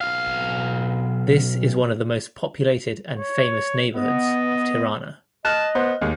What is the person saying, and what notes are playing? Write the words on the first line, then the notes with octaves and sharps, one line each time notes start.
This is one of the most populated and famous neighborhoods of Tirana.
B1 F5
C#5
B3 D#5
D#5 A5 F6 F#6
B3 C5
D#2 G#3